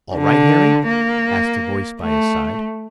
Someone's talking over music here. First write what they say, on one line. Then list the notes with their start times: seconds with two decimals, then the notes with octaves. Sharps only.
"All right, Harry?" asked a voice by his side.
0.14 D3
0.87 A#3
2.01 A3